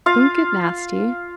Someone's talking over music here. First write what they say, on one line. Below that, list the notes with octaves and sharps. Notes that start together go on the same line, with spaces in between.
Don't get nasty.
F4 F5